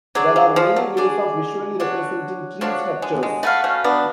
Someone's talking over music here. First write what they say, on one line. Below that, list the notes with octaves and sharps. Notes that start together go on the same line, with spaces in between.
There are many ways of visually representing tree structures.
F#3 D4 G#4 D5
F#3
F3
F#3
D4 G#4 D5
D4 F#4 C#5
F3 D4 F#4 C#5
G#3
G#3
A3 F#4 B4 F5
A3 C#4
B3 D4